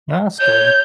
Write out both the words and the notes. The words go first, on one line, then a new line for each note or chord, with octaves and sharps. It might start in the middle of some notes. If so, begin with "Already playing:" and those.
That's good.
C#5 G6